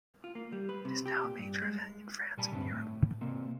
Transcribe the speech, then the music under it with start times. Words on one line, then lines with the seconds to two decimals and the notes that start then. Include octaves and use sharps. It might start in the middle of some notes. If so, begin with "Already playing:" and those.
It is now a major event in France and Europe.
0.24 F4
0.35 A#3
0.52 G3
0.69 B4
0.85 C3
1.06 G4
1.24 A#2
1.38 G2
1.62 G#3
2.37 A#2 G3 G#5 A5 B5
2.51 D2 G2 A#3 C4 D4
2.71 A2
3.21 C3 A#3 C4